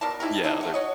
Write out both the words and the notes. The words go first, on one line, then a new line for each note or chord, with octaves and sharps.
Yeah, other
B2 A#4 D5 A5
D#4 E4 G4 A#4
E3 G3 D4 D#4
A3 F#4
F#4 C#5 D#5